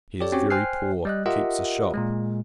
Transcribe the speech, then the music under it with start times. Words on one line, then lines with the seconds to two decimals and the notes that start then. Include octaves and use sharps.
He is very poor; keeps a shop.
0.21 G4 A4 C#5 D5
0.32 C4 C#4 F#4 G4 C#5
0.50 C5 G5 G#5 F6 F#6 C7
1.05 G3 D#5 F#6
1.26 F4 G4 A#4 D#5 E5 F#5
1.94 A#2 G#3